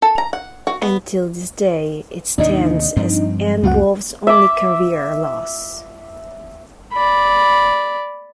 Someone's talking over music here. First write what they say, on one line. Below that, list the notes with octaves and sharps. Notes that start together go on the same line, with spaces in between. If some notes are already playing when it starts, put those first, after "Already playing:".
And till this day it stands as Ann Wolfe's only career loss.
A4
A#5
F#5
F#4
B3
D#2 A2 C3 D4 D#4 D#5
G2 F3 C4
C#2 F#2 A3 C4 F#4 F#5
E5 D6
D5 B5